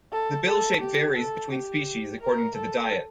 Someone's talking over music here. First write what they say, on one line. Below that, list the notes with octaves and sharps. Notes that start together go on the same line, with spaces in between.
The bill shape varies between species, according to the diet.
A4
A4
G4
A4
G4
A#4
A4